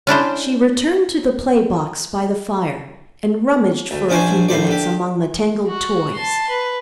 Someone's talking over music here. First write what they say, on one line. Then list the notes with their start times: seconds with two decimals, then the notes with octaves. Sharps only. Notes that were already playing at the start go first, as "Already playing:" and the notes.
She returned to the play box by the fire, and rummaged for a few minutes among the tangled toys.
0.07 C#4 D4 E4 C5
3.91 D2
4.09 A#1 C#4 D4 C5 D5 G#5
4.49 A#1 A2 C5 D5
4.67 D3 G4
5.68 F#4
6.15 A5 C6
6.49 B4